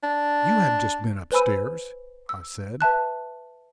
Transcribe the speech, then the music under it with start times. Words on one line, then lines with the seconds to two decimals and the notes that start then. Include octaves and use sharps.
"You have just been up-stairs," I said.
0.04 D4
1.32 B4 C5 G#5 B5 E6 D#7
2.29 E6
2.81 B4 E5 A5 F#6